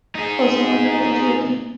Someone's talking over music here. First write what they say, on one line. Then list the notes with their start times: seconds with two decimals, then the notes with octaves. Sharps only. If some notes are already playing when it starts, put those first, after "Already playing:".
Also one daughter, Giovani.
0.15 D#4 G#4